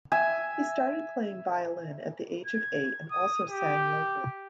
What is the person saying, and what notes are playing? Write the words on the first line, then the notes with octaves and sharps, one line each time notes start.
He started playing violin at the age of eight and also sang locally.
E5 G#5
G#6
D#6
G4